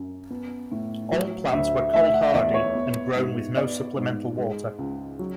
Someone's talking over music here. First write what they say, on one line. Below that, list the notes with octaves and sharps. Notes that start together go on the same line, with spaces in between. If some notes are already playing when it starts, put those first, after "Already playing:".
All plants were cold-hardy and grown with no supplemental water.
Already playing: F#2
B3
A2
F#3
D2 E5
A3 E5
F#5
E2 D5
C#5
B3
G#2
B3 D5
G#2
G#3
C#2
F#3